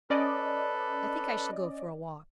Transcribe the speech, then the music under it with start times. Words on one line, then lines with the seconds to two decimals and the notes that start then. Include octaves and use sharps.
"I think I shall go for a walk."
0.10 C#4 A4 B4 D5 D#5